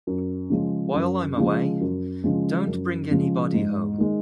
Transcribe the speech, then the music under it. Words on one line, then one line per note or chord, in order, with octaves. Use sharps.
While I’m away, don’t bring anybody home.
F#2
C#3 F3 G#3
F#2
C#3 F3 G#3
F#2
C#3 F3 G#3
F#2
C#3 F3 G#3
G#2
D#3 G#3